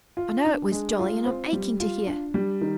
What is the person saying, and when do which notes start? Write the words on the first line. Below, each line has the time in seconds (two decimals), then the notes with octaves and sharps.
I know it was jolly, and I'm aching to hear.'
0.17 F4
0.45 D4
0.72 G#3
0.99 F4
1.26 C4
1.53 G3
1.80 F4
2.07 D4
2.34 G3
2.61 D#3